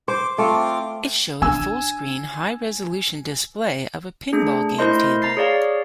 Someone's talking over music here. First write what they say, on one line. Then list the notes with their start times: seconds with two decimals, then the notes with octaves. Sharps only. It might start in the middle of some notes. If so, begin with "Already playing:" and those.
It showed a fullscreen high resolution display of a pinball game table.
0.08 C5 D6
0.38 A3 C4 F4 D6
1.42 D4 G#5 E6
4.33 A3 D4 G#4
4.78 A3 E4 A#4 C5 D#5 C6
5.22 A#5 A6 C7
5.37 G#4 C#5 D5 F5 A#5